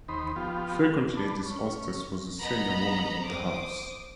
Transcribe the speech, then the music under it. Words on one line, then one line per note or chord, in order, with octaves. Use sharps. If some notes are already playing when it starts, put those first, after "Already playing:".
Frequently, this hostess was the senior woman of the house.
D#2 D#4 C5 B5
F3 B3 F4 G4
B4 D5 A5
C#4
B3 D#5 A#5 B5
C5 D6 D#6